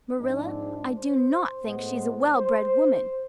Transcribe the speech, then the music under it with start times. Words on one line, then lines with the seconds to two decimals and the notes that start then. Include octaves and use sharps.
Marilla, I do NOT think she is a well-bred woman.
0.18 G#2 F3 G#3 C4 D4
0.90 C5
1.62 A2 G#3 B3
2.34 C5